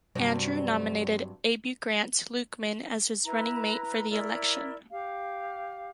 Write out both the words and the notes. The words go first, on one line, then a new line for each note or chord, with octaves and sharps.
Andrew nominated Abu Grant Lukeman as his running mate for the election.
G2 C3 F#3
E4 B4 A#5
E4 A#4 D5
G4 F5